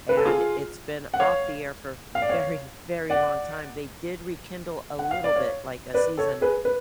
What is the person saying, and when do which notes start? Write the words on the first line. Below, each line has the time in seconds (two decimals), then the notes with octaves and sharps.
and it's been off the air for a very, very long time. They did rekindle a little bit, like a season,
0.09 B4
0.17 A4
0.25 F4 G#4
1.14 F#5
1.20 C#5 F5
2.15 F5
2.22 D5
2.29 C#5 F5
3.10 D5 F#5
4.99 F#5
5.11 F5
5.24 D5
5.36 C#5 F5
5.94 B4 D5
6.17 A4 C#5
6.41 G#4 B4
6.65 B4